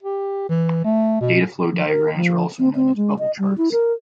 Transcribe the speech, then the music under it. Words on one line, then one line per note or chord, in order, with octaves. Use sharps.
Data flow diagrams are also known as bubble charts.
G4
E3
A3
B2
F3
A#4
F3
C4
C4
G#3
D#5
G3
E4
A#4